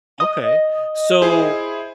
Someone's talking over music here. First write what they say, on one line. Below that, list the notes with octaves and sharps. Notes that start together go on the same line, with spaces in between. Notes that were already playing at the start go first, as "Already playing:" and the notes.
Okay, so
D#5
E4 G#4 C5